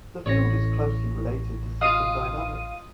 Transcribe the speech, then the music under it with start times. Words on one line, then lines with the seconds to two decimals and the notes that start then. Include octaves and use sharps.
The field is closely related to system dynamics.
0.26 A1 C#5 A#6
1.81 F4 D#5 F5 D#7